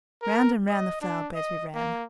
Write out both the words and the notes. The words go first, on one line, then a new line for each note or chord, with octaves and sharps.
Round and round the flower-beds we ran.
A#4
D#5
D4
D#5
A#3